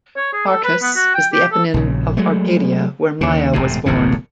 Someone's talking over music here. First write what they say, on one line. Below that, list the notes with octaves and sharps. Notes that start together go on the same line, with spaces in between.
Arcas is the eponym of Arcadia, where Maia was born.
C#5
G#4
A4
B4
B3
F#4
G5
G4
A4
A#1 C#3
F#3 G#3 A3
D#2 C#3
E1 A#1 A2 C3
D1 A1 F2 A#2